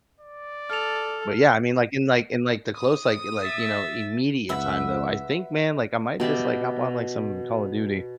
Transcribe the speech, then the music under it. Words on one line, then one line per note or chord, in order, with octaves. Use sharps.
But, yeah, I mean, like, in, like in, like, the close, like like, you know, immediate time, though, I think, man, like, I might just, like, hop on, like, some Call of Duty.
D5
A4 F6 F7
D#6
E5 A6
C#2 B4 E5 F#5
B2 G4 D5 E5